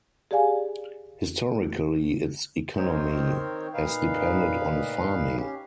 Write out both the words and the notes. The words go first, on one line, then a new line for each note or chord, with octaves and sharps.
Historically, its economy has depended on farming.
G4 G#4 D5 F5 G#5
D#3 C4 D#4 A#4 C5 C#5
A#2 D#4 B4 F5
C#4 G4